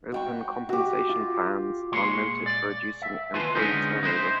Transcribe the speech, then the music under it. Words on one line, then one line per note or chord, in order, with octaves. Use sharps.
Open compensation plans are noted for reducing employee turnover.
F#4 G5 C#6
F#4 G4
F4
A#2 G#3 C#5 C6
D5
E5
D#2 F4 B4 G#5 A5 C6
D3 G#3 B3 C#4 D#4
D#4 E4 B4 C5